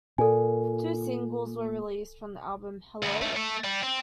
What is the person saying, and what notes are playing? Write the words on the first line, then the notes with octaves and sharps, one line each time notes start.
Two singles were released from the album: Hello?
A#2 A4 G#5
D2 B3
C#2 A3
A3
G3
C4